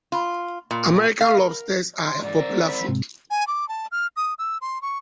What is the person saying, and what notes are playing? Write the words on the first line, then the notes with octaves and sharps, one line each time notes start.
American lobsters are a popular food.
F4
A#2
F5
A#4
C6
G#2 E3 D5
C4 A#4
B5
G#2 C3
G#5
D6
A5
F6
D#6
E6
C6
C#6